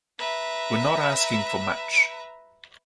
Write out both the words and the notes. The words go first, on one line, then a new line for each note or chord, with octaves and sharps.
We're not asking for much.
B4 E5 A#5